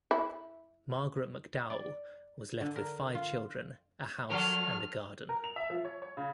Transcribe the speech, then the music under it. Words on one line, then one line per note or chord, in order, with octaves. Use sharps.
Margaret McDowell was left with five children, a house and a garden.
E4
D5
D3
A#4
F4
F3 A4 A#4 F6
A#4
F7
E5
F3
C#5
C#5
C#3